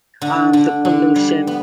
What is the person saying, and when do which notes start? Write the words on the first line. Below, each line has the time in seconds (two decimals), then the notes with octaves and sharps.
um, the pollution,
0.22 D3
0.53 D3
0.85 D3
1.16 G3
1.47 B3